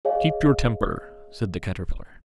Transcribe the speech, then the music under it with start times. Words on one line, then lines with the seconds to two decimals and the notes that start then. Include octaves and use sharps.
'Keep your temper,' said the Caterpillar.
0.05 G#4 C#5 D#5 F5 G#5